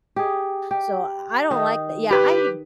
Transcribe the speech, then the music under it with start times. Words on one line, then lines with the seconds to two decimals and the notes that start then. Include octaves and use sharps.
So I don't like tha yeah, I
0.16 G4 G#4
0.71 G4
1.51 D#3 D#4
2.11 G4 B4